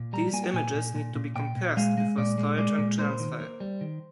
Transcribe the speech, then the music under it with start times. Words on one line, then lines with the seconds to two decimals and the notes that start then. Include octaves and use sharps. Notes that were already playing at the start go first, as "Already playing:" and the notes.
These images need to be compressed before storage and transfer.
Already playing: A#2
0.13 G3 A#5
0.33 A#3 G#5
0.44 G5
0.53 A#2 G#5
0.74 A#2
0.95 A#2
1.15 A#2
1.36 A#2 G5
1.56 A#2
1.77 G#3 F5
1.98 G#3
2.18 A#2 D5
2.38 G#3
2.58 G#3 D5
2.78 A#2
2.99 A#3 C5
3.20 D#3
3.40 A#3
3.60 G3
3.81 D#3